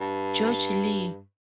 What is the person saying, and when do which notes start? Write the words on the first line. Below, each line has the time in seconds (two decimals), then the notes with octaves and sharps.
George Lee.
0.01 G2